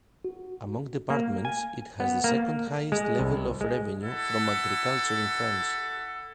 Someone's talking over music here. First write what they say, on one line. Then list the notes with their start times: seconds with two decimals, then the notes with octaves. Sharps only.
Among departments, it has the second highest level of revenue from agriculture in France.
0.25 F#4
1.10 A#3
1.45 G#5
2.00 B3
2.24 A#3
2.92 G#3
3.19 C2
3.61 G#3
4.02 E4 A4 F#5